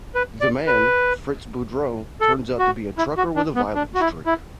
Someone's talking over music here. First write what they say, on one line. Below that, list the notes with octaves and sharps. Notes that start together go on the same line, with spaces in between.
The man, Fritz Boudreau, turns out to be a trucker with a violent streak.
B4
D5
B4
A4
F#4
E4
F#4
D4
B3
D4
F#4
E4
E4